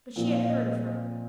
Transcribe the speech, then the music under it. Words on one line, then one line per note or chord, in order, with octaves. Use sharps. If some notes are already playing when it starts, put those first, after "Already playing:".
But she had heard of her.
A#2 F3 C4
F5
D#5